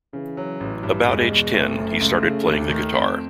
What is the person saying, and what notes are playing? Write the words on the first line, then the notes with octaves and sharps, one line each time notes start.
About age ten, he started playing the guitar.
C#3 E3
F#3
A1 E3
G2
E2 G#3
B2
F#1 A3
F#2
C#2
C#3
D#2
D#3
F2